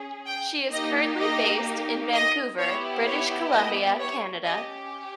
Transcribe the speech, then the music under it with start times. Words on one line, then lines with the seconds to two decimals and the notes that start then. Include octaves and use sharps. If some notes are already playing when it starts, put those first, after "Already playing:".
She is currently based in Vancouver, British Columbia, Canada.
Already playing: C#4 G#4
0.27 G5
0.73 A#3 D#4 G4 D#5
1.19 D#5
2.13 D#5
2.59 B3 E4 G4 C#5
3.06 C#5
3.52 D#5
3.99 C#5
4.45 C#4 G4 D#5